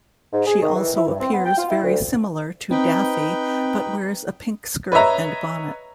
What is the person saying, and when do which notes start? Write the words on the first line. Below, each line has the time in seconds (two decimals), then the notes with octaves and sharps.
She also appears very similar to Daffy, but wears a pink skirt and bonnet.
0.33 G#2
0.47 G#4
0.62 D#3
0.75 E3
0.95 E4
1.08 G2
1.20 C4
1.33 B3
1.45 G5
1.58 F4
1.70 E4
1.83 D2
2.71 C4 D#4 B4 G5
4.92 B4 C#5 D#5 E5 A#5